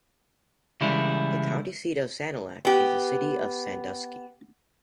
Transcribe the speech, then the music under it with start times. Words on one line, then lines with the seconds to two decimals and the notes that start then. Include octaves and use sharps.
The county seat of Sanilac is the city of Sandusky.
0.81 C#3 E3 G3 G#3 E4
2.65 B3 G4